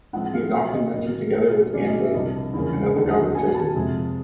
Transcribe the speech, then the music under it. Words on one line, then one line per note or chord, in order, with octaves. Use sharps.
He is often mentioned together with Anbay, another god of justice.
A2 F3 G#3 C4 F#5
F5
B2 F#3 B3 E5
D#5
A2 F#3 A#3 D#5
B2 G#3 B3
B2 F#3 A#3 C#4 D5
D#5
E5
C2 C3 F3 A#3 D4 D#5
E2 C#3 F3 A#3 C#4
D#2 D3 F#3
A#2 F#3 B3 G#5
A5
F2 C3 F3 G#3